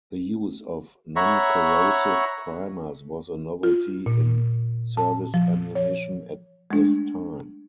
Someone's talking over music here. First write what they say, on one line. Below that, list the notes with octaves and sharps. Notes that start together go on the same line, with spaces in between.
The use of non-corrosive primers was a novelty in service ammunition at this time.
C#5 E5 F#5 A#5 B5 C#6
F4
A#2
A5
F3
C#5
G#3 A3 D4